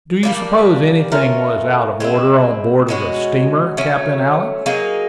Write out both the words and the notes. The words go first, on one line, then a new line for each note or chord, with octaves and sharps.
"Do you suppose anything was out of order on board of the steamer, Captain Alick?"
G3 A#3 D4
A3 C#4 F4 A#4
G#3 C4 E4
B2 G#3 C#4 F#4
F#3 A3 C#4
F#3 A#3 D#4 G#4